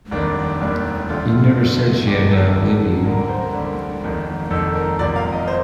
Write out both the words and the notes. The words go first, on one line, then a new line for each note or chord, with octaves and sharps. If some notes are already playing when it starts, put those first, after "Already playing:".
You never said she had to outlive you.
F1 D#2 D#3 G3 A#3 D4
F1 D#2 D#3 G3 A#3
F2 D3 F3 A3 F4
F2 D3 F3 A3
G1 F2 D#3 G3 A#3 G4
A4
G1 F2 D#3 G3 A#3
D2 D3 G3 A#3 A#4
A#4
C5
A#4
D2 D3 G3 A#3
F1 F2 D#3 A#3
F1 F2 D#3 A#3 A4
A#4
F1 F2 C3 F3 A#3 D5
F5
D#5
A#3 C5